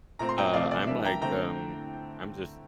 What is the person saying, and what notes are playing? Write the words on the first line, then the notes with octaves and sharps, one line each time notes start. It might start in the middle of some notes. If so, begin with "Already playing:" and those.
Uh, I'm like, um, I'm just,
A#2 A3 C4 A#5
C6
G5 A#5
C3 F3 A3 C4 D5 F5
D5
E3 G3 A#3 D4 E5
G5 A#5
D3 A3 C4 G5 A#5